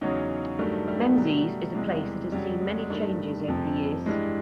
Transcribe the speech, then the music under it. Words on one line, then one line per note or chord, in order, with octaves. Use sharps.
Menzies is a place that has seen many changes over the years.
E2 C#3 F#3 C#4 D#4
G2 D#3 F#3 G3 A3
G3 A3
B2 F#3
E2 C3 E3 G3 G#3
F2 C#3 F#3 G3
G#3
G3
G#3
G2 D#3 G3 A3
F2 C3 F3
G2 E3 G3 G#3